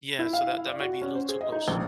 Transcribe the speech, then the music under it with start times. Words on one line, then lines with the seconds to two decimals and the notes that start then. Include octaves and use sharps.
Yeah. So, that that might be a little too close.
0.19 E4
0.33 F5
0.52 E4
0.67 D5
0.80 F#4
1.01 C#4
1.15 C5
1.29 G#4
1.41 D#5
1.52 D#4
1.68 A#1